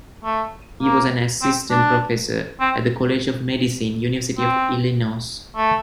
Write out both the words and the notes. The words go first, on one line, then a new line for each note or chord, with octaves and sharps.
He was an assistant professor at the College of Medicine, University of Illinois.
A3
A#3
C4
D4
C4
C4
A3